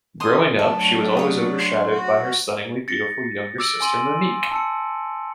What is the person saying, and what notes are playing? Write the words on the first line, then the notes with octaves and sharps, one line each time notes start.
Growing up, she was always overshadowed by her stunningly beautiful younger sister Monique.
C6 D#6
F#3 A3 D4 A4
C#5 D#6
C6
F#4
A6 A#6 C#7
D6 E6 D7 F#7
G#5 C6 D#7 F#7
A5 E6 C#7